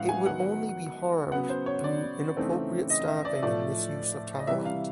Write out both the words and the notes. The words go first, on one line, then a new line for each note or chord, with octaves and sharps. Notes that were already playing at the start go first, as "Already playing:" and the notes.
It would only be harmed through inappropriate staffing and misuse of talent.
Already playing: A2 E3 G#3 C#4 F5 F#5
G#5
D#3 F#3 B3 F#5
C#3 F#3 B3 F#5
C5
C#5
D5
C#3 E3 A3 C4 D#4
D#5
E5
D5
A2 F3 A3 D5
D#5
C3 E3 G3 E5
F5